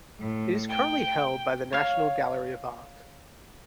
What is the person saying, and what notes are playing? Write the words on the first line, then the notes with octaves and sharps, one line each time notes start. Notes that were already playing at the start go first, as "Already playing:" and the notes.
It is currently held by the National Gallery of Art.
A2
G5
C#5 F5